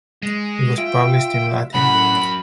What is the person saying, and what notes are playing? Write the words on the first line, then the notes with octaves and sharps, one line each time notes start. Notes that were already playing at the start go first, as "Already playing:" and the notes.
It was published in Latin.
G#3
F4 E5 G5
F#2 A2 C#4 F#5 B5